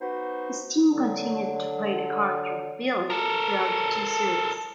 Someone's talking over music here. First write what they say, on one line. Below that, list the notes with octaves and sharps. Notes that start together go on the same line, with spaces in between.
Steen continued to play the character of "Billy" throughout the two series.
B3 D#4 F#4 C5
D3 F#3
A4 A#4